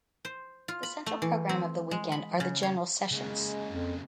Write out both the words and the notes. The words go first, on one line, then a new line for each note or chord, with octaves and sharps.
The central program of the weekend are the general sessions.
C5
F4
B5
A3
E3
C4
G#3
B5
C#3
C#5
C#3 G#3 A#3
F2